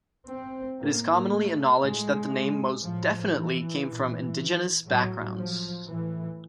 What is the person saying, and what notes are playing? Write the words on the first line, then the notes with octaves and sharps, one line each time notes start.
It is commonly acknowledged, that the name most definitely came from indigenous backgrounds.
C4
A2 A#3
A3
A2 G#3
A2 F3
E3
A#2
A2 F#3
F3
A2 E3